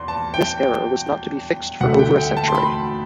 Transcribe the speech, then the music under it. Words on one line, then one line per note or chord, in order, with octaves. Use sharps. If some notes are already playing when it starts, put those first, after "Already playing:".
This error was not to be fixed for over a century.
Already playing: E2 C6
A5
G5
D2 D3 A3 F#5
G5
G5
A5
C6
B5